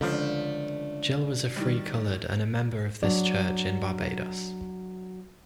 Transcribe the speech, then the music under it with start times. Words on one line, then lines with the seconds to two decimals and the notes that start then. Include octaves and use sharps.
Gill was a Free Coloured and a member of this church in Barbados.
0.01 C#2 D3 F3 A3 D4
1.56 D#3 G3
3.03 F#3 D4 D5